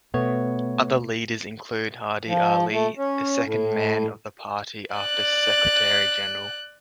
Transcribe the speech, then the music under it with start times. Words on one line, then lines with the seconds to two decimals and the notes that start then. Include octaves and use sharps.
Other leaders include Hadi Ali, the second man of the party after secretary general.
0.14 B2 A3 B3 C#5
2.27 F3
2.72 A3
2.97 C#4
3.43 A2
4.95 D5 F#6